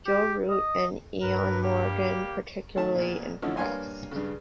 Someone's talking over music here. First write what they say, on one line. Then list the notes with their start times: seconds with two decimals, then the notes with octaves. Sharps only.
Joe Root and Eoin Morgan particularly impressed.
0.07 G4
0.50 D#5
1.22 G2 A#4 B4
1.61 G3 A#3 G4
2.76 D#3 A3 A5
2.95 E2 A#2
3.42 D3 E3 F3 A3 C#4 D#4
3.57 G2 A#3 C#5 F5 G#5 C6
4.11 G2 C#3